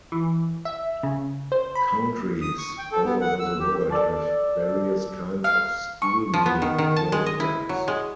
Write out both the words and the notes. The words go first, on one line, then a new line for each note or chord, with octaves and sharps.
Countries all over the world have various kinds of school meal programs.
E3
E5
C#3
C5
B5
D#6
C#6
G5
A4
B3
F#5
E6
G4
A4 D5 A5
F5
C#6
F3
B3
D#3
D#3
A5
G#3
D#5
E4
F#3
G#3